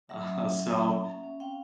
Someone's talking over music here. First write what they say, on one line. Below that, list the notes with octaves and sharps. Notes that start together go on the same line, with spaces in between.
Aha, so,
F#3 E5 F#5
C#4
F#3
F#3
C#4
A#3
C#4
C#4
C4 F5 G5